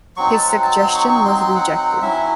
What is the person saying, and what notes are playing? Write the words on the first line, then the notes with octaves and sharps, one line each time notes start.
This suggestion was rejected.
F#3 C4 D#4 C#6
A5
F#5
A5
C6
C#6
C#6
C6
C6
F#5
F#5
F#3 C#4 E4 E5